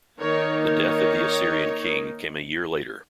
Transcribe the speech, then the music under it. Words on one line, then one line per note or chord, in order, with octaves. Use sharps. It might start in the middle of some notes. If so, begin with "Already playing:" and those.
The death of the Assyrian king came a year later.
D#3 A#3 D#4 A#4 C#5
A#4 C#5